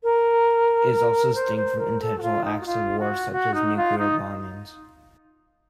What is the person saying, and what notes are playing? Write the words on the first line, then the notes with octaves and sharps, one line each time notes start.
It is also distinct from intentional acts of war such as nuclear bombings.
A#4
C5
C5
A#4
A4
F#4
F4
D#4
F#4
F4
F#4
F#4
D#4
F4
D#4